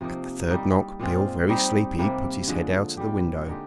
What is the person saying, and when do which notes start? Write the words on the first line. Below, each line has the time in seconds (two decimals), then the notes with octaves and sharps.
At the third knock Beale, very sleepy, put his head out of the window.
0.01 C3 F3 A#3 D#4
0.50 G3 A#3 D#4
0.99 A#2 G#3 C4 F4
1.49 G3 C4 D#4 G4
1.99 C3 G3 A#3
2.47 D3 F3 G#3
2.97 A#2 G3 C4 G4
3.46 D3 G#3 D#4 G4